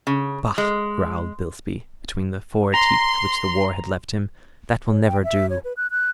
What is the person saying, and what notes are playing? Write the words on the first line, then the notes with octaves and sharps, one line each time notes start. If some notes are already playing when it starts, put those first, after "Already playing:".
"Bah!" growled Bilsby between the four teeth which the war had left him; "that will never do!"
C#3
G#3
A#5 C6
C#5
G5
E5
C#5
B4
F#6
F#6